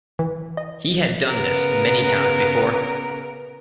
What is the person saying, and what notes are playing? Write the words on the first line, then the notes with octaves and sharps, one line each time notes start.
He had done this many times before.
E3
D#5
C#3 B3 A#4